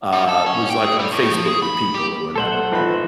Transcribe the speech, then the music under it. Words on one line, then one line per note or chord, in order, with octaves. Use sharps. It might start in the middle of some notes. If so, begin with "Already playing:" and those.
uh, was, like, on Facebook with people or whatever,
G2
A4
C#4
G5
G#4
G3
A2
F3
G#4
B5
G4
B1 A3 A4 C5 F#5
G#1 E2 E3 F4 B4 B5